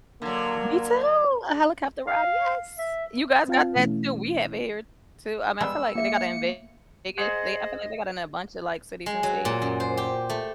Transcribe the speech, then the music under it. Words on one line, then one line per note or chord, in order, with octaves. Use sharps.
Me too! A helicopter ride, yes! You guys got that too. We have it here too, um, I feel like they got it in Vegas. They I feel like they got in a bunch of, like, cities and states.
D3 F#3 A#3
F5
E5
C4 F4 F5 G5 A5
B2 E3 A3 C#4 E4
G3 G#3 B3 E6
A#3 G#4 E5 C#7
G#4 C5 D#5 F#5
G#3
F#3
A#2
F#2
C5
G4
A3